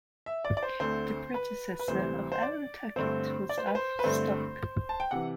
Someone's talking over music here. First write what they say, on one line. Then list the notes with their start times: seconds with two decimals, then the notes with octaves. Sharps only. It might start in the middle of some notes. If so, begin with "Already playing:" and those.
The predecessor of Alan Tuckett was Arthur Stock.
0.26 E5
0.45 D5
0.57 D5
0.63 C5
0.80 D2 D3 A3 C4 C5
1.34 B4
1.79 B4
1.88 D2 C3 E3 G3 C5
2.32 C5
2.42 D5
2.96 G2 D3 A3 C4 C5
3.49 D5
3.58 C5
3.67 B4
3.75 C5
3.99 B4
4.04 G2 D3 A3 C4 C5
4.89 A5
5.00 G5
5.11 C3 E3 F#5